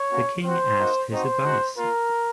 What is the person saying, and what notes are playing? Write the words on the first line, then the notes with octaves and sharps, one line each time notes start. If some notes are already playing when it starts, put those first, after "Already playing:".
The king asked his advice.
Already playing: C#5
A#3 C#4 F#4
C4 F#4 C5
A#3 D#4 F#4
C4 D#4 F#4 C5
G#3 D#4 F#4
A#3 F4 A#4